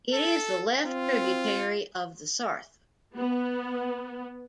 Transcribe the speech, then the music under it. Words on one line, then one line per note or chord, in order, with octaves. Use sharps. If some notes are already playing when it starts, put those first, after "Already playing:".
It is a left tributary of the Sarthe.
A4
C4 F4
B3